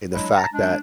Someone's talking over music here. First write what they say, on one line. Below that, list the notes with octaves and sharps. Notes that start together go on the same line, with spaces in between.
And the fact that
F#3 G#3 D4 E4
A5 A#5
G#3 D4